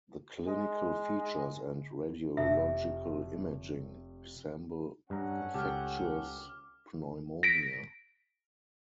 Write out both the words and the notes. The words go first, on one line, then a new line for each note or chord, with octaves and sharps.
The clinical features and radiological imaging resemble infectious pneumonia.
G#3
F1 E5
G2 A3 C#4 F#5 A#5
C#2 G4 A4 D6 F6
A#6 B6 D7